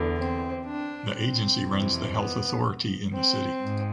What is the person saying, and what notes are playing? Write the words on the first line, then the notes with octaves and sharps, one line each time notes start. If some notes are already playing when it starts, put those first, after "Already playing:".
The Agency runs the health authority in the city.
Already playing: E2 D3
C4
D4
C4
F2 C3 E3
B3
C4
G#2